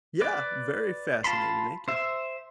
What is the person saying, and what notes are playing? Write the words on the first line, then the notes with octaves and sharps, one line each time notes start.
Yeah, very fascinating. Thank you.
B4 D5
F4 A5 B5 C6
C5 E5